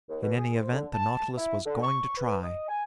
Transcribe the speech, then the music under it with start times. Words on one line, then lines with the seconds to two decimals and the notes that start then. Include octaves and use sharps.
In any event the Nautilus was going to try.
0.09 D#2
0.23 B2
0.38 G#4
0.54 C5
0.72 D3
0.94 A5
1.38 E4
1.66 D3
1.83 C#6
2.16 B4
2.42 D#5
2.68 G#5